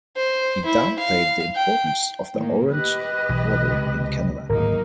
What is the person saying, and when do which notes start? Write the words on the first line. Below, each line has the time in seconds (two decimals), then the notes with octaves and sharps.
He downplayed the importance of the Orange Order in Canada.
0.16 C5
0.65 E4
0.99 F5
1.55 G5
2.34 A2 D#3 A#3
2.73 G4 B4 D#5 F#6
3.29 B1 E3
3.71 C#2 C3
4.49 D1 G#1 F#3 A#3 D#4 A#4